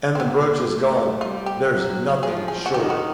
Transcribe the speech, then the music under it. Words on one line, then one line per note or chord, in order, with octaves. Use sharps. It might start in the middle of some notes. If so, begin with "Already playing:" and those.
And the brooch is gone, there’s nothing surer.
C4
A#3 B3
A3
G3 F4
G4
F#3
F3 G#4
G#4
F#4
D#3 G4
F#4